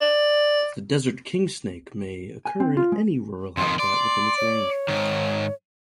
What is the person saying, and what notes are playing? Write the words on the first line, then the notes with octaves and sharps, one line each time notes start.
The desert kingsnake may occur in any rural habitat within its range.
D5
G#5
C4
F4
G#3
F2 D#3 C6
D5 C6
C#5
G#2 D#3